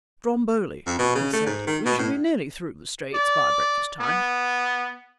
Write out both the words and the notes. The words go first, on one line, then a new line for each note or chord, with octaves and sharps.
"Stromboli," he said; "we shall be nearly through the Straits by breakfast-time."
F2
B2
C#3
A3
G#2
D#3
B2
A2
D5
B3